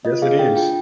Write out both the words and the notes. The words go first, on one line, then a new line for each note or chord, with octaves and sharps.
Yes, it is.
F4 D#5
G#4 F5
D4 G5
F4 G5